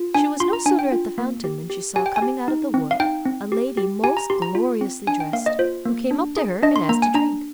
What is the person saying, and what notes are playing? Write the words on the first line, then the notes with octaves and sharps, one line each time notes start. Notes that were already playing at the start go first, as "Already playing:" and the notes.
She was no sooner at the fountain, than she saw coming out of the wood a lady most gloriously dressed, who came up to her, and asked to drink.
Already playing: F4
D4 G#5
F4 C6
A#5
D4 G#5
G5
F4
A#3
G4
G4
G4 G#5
G5
G#5
G4
D#4
C4
F5
D#4 G5
C4
G4
G4
G4 G#5
A#5
G4 C6
A#5
F4
C4
D4 G#5
G5
A#3 F5
D#5
F4 C5
A#3
D4
G#4
D4 D#5
C6
A#3 A#5
G#5
D4 A#5